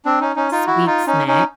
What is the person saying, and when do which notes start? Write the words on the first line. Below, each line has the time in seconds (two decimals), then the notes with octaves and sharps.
sweet snack.
0.05 C4 D4
0.21 C#4 D#4
0.36 C#4 D#4
0.52 D#4 F4
0.66 E4 F#4
0.86 D#4 F4
1.07 C#4 D#4
1.27 C#4 D#4